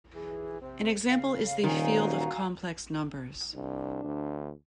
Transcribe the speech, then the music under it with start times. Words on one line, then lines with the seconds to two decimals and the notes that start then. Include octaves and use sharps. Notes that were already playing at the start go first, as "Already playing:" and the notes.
An example is the field of complex numbers.
0.15 B1 E3 G#4
0.62 C3 C4
1.09 C#3 F5
1.64 D#1 D#3 F5 G#5 A#5
2.04 F#4
3.55 C2 D4
4.04 D2